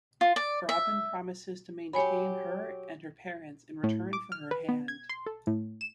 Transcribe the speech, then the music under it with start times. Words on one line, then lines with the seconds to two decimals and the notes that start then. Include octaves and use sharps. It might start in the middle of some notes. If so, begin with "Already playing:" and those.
Robin promises to maintain her and her parents in return for her hand.
0.21 F4
0.36 D5
0.69 E5
1.93 F#3 G4 C#5 G#5 B5
3.84 A2
4.13 D6
4.32 F6
4.51 B4
4.69 B3
4.88 G#6
5.09 C6
5.26 A4
5.47 A2
5.81 E7